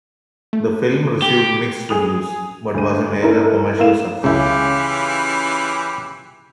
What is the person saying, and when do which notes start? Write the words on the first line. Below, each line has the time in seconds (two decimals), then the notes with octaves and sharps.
The film received mixed reviews, but was a major commercial success.
0.53 A3
1.22 G4
1.89 G#4 D#6 F7
2.74 D2 D#7
3.22 C#4 D#4 E4 A4 A#4
3.79 A#3 E4 F5 E7
4.24 C#2 C#3 E3 C#4 E4 F4 G4